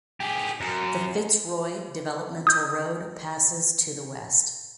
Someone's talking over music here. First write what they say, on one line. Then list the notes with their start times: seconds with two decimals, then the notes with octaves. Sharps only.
The Fitzroy Developmental Road passes to the west.
0.20 G4 G#4
0.61 F#2
2.47 D#6 G6